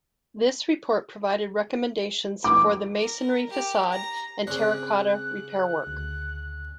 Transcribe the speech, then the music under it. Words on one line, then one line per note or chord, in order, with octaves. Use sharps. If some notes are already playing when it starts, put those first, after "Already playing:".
This report provided recommendations for the masonry facade and terra cotta repair work.
D6
A#4
G4
A#5
C#3 C4 D4 F#6
D2